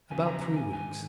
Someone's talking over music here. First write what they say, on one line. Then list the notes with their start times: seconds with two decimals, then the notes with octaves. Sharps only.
"About three weeks."
0.10 E2 C#3 F#3 B3 G#5
0.22 G#5
0.26 A#5
0.42 A#5
0.56 G#5
0.72 G#2 D#3 G#5